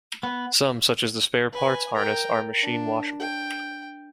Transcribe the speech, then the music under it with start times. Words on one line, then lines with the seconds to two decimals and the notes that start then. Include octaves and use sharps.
Some, such as the "Spare Parts" harness, are machine-washable.
0.23 B3
1.52 B4 G#5
1.93 A#4 G5
2.62 D4
3.20 G5